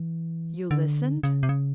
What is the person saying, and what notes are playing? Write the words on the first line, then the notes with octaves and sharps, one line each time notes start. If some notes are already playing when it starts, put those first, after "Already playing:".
"You listened?"
Already playing: E3
D3
C#3
C3
C#3